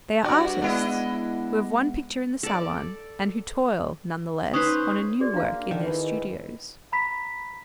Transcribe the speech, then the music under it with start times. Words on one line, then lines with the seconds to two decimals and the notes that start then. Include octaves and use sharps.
They are artists, who have one picture in the salon, and who toil, none the less, on a new work in their studios.
0.23 G2 F#4 D5
0.61 G#3 B3 D4 E4 D#5 F#5
2.43 A4 D5
4.53 C#4 D#4 B4 C5 D#6
5.20 F#4 G#4 D5
5.33 A#3 D4 F5
5.71 D3 D#3
5.84 G#2 E3
6.92 A#5 B5 B6